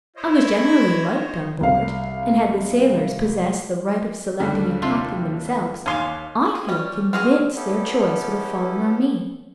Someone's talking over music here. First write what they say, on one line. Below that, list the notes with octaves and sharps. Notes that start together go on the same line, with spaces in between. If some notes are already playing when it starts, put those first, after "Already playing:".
I was generally liked on board, and had the sailors possessed the right of selecting a captain themselves, I feel convinced their choice would have fallen on me.
E4 C5 C#5 D#5
C2 F5
D#2 D3 G3
C3 F4 A4
D#2 C#4 F5 G#5 C6
G#4
G3 C#4
C4 F#4 G#4 F6
B3 C#4 E4 G4 A4